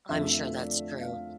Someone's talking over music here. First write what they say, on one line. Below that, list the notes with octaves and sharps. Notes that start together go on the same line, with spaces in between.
I'm sure that's true.
F2 D3 F3 A3 E5
D5
F5